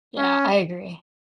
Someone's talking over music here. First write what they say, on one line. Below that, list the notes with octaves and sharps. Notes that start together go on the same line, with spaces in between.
Yeah, I agree.
C#4